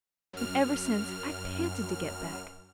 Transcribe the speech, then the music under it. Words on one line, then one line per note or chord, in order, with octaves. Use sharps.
And ever since, I've panted to get back.
F#2 F6